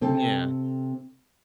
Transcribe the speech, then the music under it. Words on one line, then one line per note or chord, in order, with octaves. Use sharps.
Mm, yeah.
C3 C4 A4